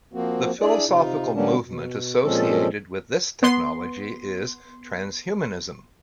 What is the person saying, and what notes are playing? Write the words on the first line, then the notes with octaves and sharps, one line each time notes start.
The philosophical movement associated with this technology is transhumanism.
F3 A#3 C4 F#4
D4 E4 G#4 D5
C3 D#4 F4
D3 G3 A#3 B3 C#4 D4
B2
A#2 F3 G#3 C4 C#4 A4
B3 C6